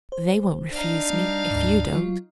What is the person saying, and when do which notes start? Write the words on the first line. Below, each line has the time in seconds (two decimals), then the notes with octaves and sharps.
'They won't refuse me, if you don't.'
0.12 C5
0.73 D4 D#4 F5
1.13 G3
1.51 D2 G#2
1.93 F#3 F4